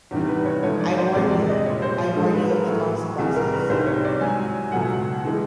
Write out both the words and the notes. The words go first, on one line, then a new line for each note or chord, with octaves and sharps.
I warn you, I warn you of the consequences.
E2 C3 D#3 G3
B4
C#5
G#2 F3 A3 C#5
D5
C5
F2 C3 F3 G#3 D5
D5
D#5
A#2 G3 C#5
C5
G#2 F3 G#3 A4
B4
A#4
A2 F#3 A3 A4
C2 C3 E3 G3 G#4
A#4
B4
C2 C3 D#3 G3 C5
C#5
D5
G#2 D#3 F#3 G#5
C#2 B2 F#3 A3 F#5
E3 G#3